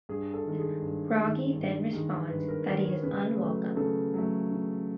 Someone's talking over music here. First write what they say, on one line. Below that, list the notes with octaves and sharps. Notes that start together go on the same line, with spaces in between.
Bragi then responds that he is unwelcome.
G2 G#4
A4
D#3 G#3
G#4
G2
D#3 G#3
G2
D#3 G#3
G2 B4
A#4
D#3 G#3 G#4
C#5
C#3 B4
F#3 A3
C#3 A4
F#3 A3
C#3